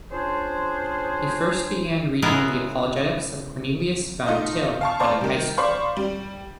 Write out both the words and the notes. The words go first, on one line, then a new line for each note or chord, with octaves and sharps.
He first began reading the apologetics of Cornelius Van Til when in high school.
C#4 D4 F4 G#4 C5
C#3 G#3 B3 E4 G#4 A#4
A3 D#4 F4 D#5
F5 A5 C#6
C5 D5 F5 A5 A#5 C#6
D#3 G3
C5 D5 F5 B5 C#6
G3